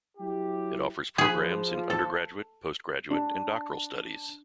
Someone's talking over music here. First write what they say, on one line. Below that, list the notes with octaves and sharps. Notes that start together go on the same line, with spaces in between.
It offers programmes in undergraduate, post-graduate, and doctoral studies.
F#3 E4 G4
F3 G#4 B4
A4
D4